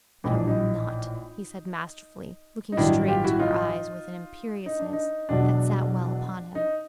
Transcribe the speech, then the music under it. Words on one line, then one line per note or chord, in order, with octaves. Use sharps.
"But I will not," he said masterfully, looking straight into her eyes with an imperiousness that sat well upon him.
A#1 A2 E3 D#4
D4
D#4
D#4
A1 G2 D#3 F#3 D4 E4
F4 G4
E4 F#4
D#4 F4
D#4
D4
D#4
E1 E2 B2 F#3 D4
D#4